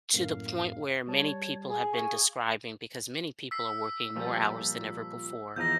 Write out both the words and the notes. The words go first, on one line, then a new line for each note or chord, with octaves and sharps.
to the point where many people have been describing because many people are working more hours than ever before,
F#2 A2 A#3 F5
G3 C#5 A5
G#4
F5 G#5 C#6
E6 B6 C7
A#2 F3 G3
E2 F3 D#4 G6 A#6